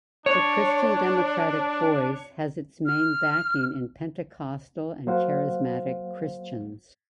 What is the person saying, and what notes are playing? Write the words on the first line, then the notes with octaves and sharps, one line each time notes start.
The Christian Democratic Voice has its main backing in pentecostal and charismatic Christians.
D4 C#5
F6
F#3 A#3 C5 F5 F#5